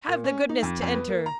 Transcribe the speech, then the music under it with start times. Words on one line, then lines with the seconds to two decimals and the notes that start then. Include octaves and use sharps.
'Have the goodness to enter.'
0.08 A#2
0.24 C#4
0.49 D#4
0.62 F2
0.82 F2
0.94 B3
1.09 A#3
1.26 A#5